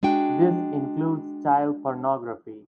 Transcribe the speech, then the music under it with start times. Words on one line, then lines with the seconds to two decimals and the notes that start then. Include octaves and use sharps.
This includes child pornography.
0.03 G#3 D4 F#4 G5